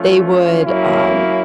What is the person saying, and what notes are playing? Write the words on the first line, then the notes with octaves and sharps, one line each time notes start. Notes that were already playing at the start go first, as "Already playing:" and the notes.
They would, um
Already playing: F3 A3 C#4 F4
F#3 A#3 C#4 E4